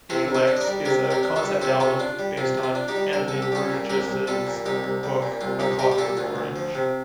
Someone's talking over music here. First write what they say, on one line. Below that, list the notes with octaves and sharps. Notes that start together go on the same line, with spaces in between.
A-Lex is a concept album based on Anthony Burgess' book "A Clockwork Orange".
C3 A4 C5
C3
A4 C5
D4
D#5
A#4 D5
G3
C3 G4 A#4
C3
G4 A#4
D4
F4 A4
G3
C3 A4 C5
C3 F4 A4
D4 F4
G3
C3 F4
C3
F4
D4
D#4 G4
G3
C2 A#4
C2 A4
G4
G3 F4 A4
A#2
C2 G4 A#4
C2
G3 F4 A4
A#2
C2 D#4 G4
C2
G3
A#2
C2 F4
C2 D#4 G4
G3 G4 A#4
G4
A#2 F4 A4
D2 F4
D2
F3
C3